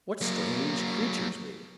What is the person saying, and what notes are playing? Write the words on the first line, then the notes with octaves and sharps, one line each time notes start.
What strange creatures we!
F#3 A#3